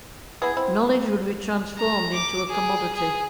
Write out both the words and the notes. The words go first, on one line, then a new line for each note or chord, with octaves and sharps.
Knowledge would be transformed into a commodity.
B3 E4 G#4
C4 E4
A#5
D6
G#4
G#4